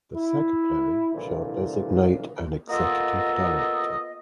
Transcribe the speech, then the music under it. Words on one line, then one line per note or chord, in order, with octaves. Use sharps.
The Secretary shall designate an Executive Director.
E4
C2 A#2 D3 E3 F3
A#3 B3 F4 A4 D#5